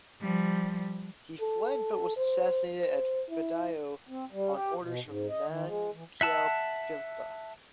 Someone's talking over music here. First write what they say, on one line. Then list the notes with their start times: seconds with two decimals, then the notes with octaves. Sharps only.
He fled but was assassinated at Phadao on orders from Nang Keo Phimpha.
0.22 F3 G3
1.41 A4
2.16 C5
2.80 C5
3.29 E4
4.09 C4
4.32 G3
4.54 G4
4.82 B2
5.06 G#2
5.29 D#5
5.48 D#3
5.66 G#3
5.94 E3
6.21 E5 F#5 A5 E6